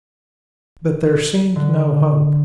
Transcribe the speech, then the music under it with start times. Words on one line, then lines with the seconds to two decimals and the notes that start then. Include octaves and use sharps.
But there seemed no hope.
1.56 D3